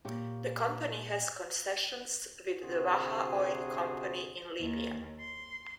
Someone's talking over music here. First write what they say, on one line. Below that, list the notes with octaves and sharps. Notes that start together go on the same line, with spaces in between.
The company has concessions with the Waha Oil Company in Libya.
A#2 G4 C#5
A1 D2 C3 F#4 G#4 C5
D#2
C6